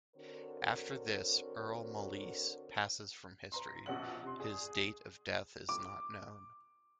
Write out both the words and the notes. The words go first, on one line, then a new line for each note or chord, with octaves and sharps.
After this, Earl Malise passes from history; his date of death is not known.
D3 C4 F#4 A#4 C#5
B4 A#5 C6
A#6
A#1 B2 C#4 F#5 F#6 F#7
C3 C6
G#4 D5 D#6
D6